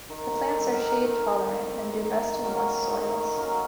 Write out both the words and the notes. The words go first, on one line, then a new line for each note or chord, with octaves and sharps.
The plants are shade-tolerant and do best in moist soils.
D#3
A4
G3 C4
A#4
A4
A#4
D#3 A4
G3 C4
D#3
F#3 A#3 C#4
G#4
D#3 A4
F#3 A#3 C#4